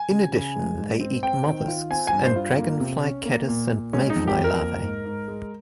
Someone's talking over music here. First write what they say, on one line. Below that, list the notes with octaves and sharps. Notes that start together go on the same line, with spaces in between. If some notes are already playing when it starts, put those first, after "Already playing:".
In addition, they eat mollusks and dragonfly, caddis and mayfly larvae.
Already playing: G#5
C#3
C#3
G#3
G#2
C4
C4 G5
D#3
F4
C4 G#5
G#5
G2
C5
F4
A#3
C3
C#4
A#3
A#2
A#2
G#3 C#4
D#4
F2
G4
F2
A#4
A#3
G#2
G#2
G#3